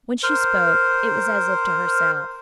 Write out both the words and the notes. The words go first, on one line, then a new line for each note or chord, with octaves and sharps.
When she spoke, it was as if to herself.
A#4 C5